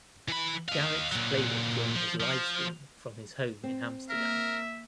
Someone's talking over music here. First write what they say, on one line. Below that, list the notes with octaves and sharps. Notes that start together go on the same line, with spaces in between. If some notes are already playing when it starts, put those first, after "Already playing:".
Garrix played it during his live stream from his home in Amsterdam.
E3 B5
D#5 F5
A#2 F#3
F3
F3
C4
A#3 A#4 E5